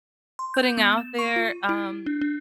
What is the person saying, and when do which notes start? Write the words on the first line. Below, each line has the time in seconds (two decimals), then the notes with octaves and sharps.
putting out there, um,
0.39 C6
0.54 G6
0.77 B3
0.98 E7
1.19 C#6
1.36 F4
1.69 E4
2.06 D4
2.21 D4